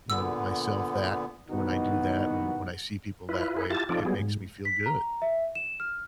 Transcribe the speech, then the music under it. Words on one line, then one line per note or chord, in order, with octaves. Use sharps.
you know, myself that when I do that and when I see people that way, it makes me feel good.
A#2 D3 B3 E6
C2 B2 D#3 B3 D#4 F#4
E4 F4 B4
E4 G#4 B4
E4 F4 G4 A5 A6
F3 C4 D#4 F4 A4 D5
F#3 G3 B3 G#4
G#2
B6
A#5
E5
E7
F6